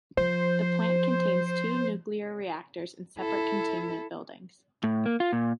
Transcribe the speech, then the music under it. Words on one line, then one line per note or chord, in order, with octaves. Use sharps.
The plant contains two nuclear reactors in separate containment buildings.
F3 C5
E4 A4
A2
A#3
F4
A#2